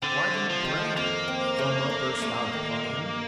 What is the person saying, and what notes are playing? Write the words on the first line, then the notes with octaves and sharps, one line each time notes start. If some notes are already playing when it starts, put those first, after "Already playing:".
"Why do you brag?" Foma, bursts out upon him.
D3 C4
A3
F3
D#3
F2 A#3
C4
A3
D4
A3
D#3
G2